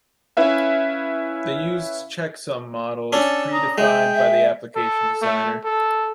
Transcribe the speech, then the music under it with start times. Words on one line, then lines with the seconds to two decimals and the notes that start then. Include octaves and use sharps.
The used checksum model is pre-defined by the application designer.
0.37 C#4 E4 B4 E5 F5
3.13 C#4 D4 A4
3.52 A#5 D#6
3.78 G#3 E5 G5
4.15 E5
4.76 A4
5.22 A3
5.65 A4